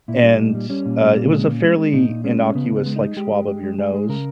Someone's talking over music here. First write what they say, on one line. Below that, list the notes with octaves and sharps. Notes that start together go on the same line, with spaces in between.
and, uh, it was a fairly innocuous, like, swab of your nose.
A#2 E4
D#4
G3 C#4
D#4
A#2
G3
G3 C#4
A#2
G3
A#2
G#3
A#2
G#3
G#3
A#2 D#4
A#2
G#3 C#4
G#3
C#3 B3
C#3
B3
G#3
D#4
G#3
G#3 G4
G#3
G#3
G#3
G#3 G#4
G#3
C#3 A#4